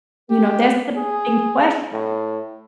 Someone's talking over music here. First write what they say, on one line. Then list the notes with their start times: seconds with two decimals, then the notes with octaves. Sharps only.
You know, that's the big question.
0.31 G4
0.96 G#4
1.92 A2